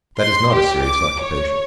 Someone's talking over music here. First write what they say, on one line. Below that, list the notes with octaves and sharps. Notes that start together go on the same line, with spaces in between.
That is not a serious occupation.
C6
G4
D6
C#5